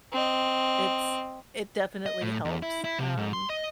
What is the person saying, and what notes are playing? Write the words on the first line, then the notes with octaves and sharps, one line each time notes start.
Its It definitely helps, um,
C4 D#5
D#5
A2
E2
E4
E4
C3
G#2
C6
D#5